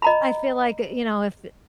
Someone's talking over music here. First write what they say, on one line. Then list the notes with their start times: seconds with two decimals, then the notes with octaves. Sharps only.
I feel like, you know, if
0.02 D#5 A#5 B5